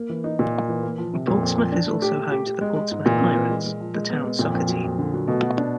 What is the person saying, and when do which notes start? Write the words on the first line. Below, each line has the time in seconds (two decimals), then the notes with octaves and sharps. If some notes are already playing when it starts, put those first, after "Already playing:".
Portsmouth is also home to the Portsmouth Pirates, the town's soccer team.
Already playing: A#3
0.09 E3
0.24 D#4
0.39 A#2 D#4
0.53 A#3
0.68 E3
0.83 A#3
0.98 F3
1.13 C3
1.28 F2 A#2
1.43 F2
1.58 F2
1.72 D4
1.87 A3
2.02 G4
2.17 A3
2.31 G4
2.47 G4
2.61 G#3
2.76 G#3
2.91 G#2
3.05 A#2 E3
3.20 C4
3.35 E3
3.50 G#3
3.66 G#3
3.80 F3
3.95 G#3
4.10 B3
4.24 G#3
4.39 F2 A#2
4.54 F2
4.68 F#3
4.84 F2
4.99 D3
5.14 F#3
5.28 B2 A3
5.42 F#4
5.58 D4